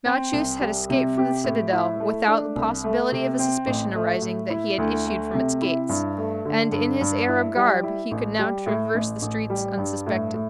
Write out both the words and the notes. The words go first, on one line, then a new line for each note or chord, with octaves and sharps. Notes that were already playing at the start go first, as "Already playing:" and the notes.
Malchus had escaped from the citadel without the possibility of a suspicion arising that he had issued from its gates, and in his Arab garb he could now traverse the streets unsuspected.
C4
C2
G3
C3
G4
A2
E4
A3
D4
C2
A3
C3
C4
A1
A3
A2
E4
D2
A3
C3
E4
G2
A3
D3
G2
G2
E4
G3
E4
A1
G3
A2
A1
A1
G3
G2
A2
A2